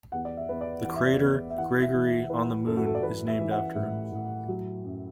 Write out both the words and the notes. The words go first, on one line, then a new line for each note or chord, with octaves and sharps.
The crater Gregory on the Moon is named after him.
E2 F#5
D5
E5
E2 B4
D5
E3 F#5
E5
D5
E2 E5
E5
E3 F#5
E5
E3
E5
E3 B4
F#2 A4
F#4
A4
D5
E3 B4
E5
E3
F#5
A2 E5
A2
F#3
F#2